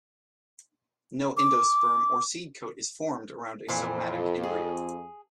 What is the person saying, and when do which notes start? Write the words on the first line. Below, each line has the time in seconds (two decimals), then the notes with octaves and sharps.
No endosperm or seed coat is formed around a somatic embryo.
1.37 D6
3.68 F2 A#2 E3 C5
4.43 G#4